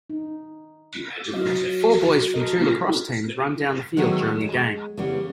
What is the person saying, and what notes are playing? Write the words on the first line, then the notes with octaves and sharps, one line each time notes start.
Four boys from two lacrosse teams run down the field during a game.
D#4
F#3 F#4 D#5 F5
A4 A#4 D#5
D#3 F#3 G#3 A3 B3
G#3
C#3 E3 G3 B3